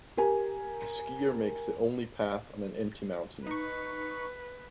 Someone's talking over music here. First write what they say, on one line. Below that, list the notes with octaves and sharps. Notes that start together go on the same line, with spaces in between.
A skier makes the only path on an empty mountain.
G4 A#4 G#5
D#4 B4 C#6